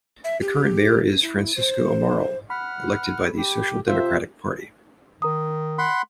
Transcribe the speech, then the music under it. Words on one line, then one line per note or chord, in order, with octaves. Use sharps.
The current Mayor is Francisco Amaral, elected by the Social Democratic Party.
E5
G4
E4
C5
F#5 B5 F6
G4
C3 F4 C5 E5
D#3 A#4 A#5 D#6
F#5 B5 C6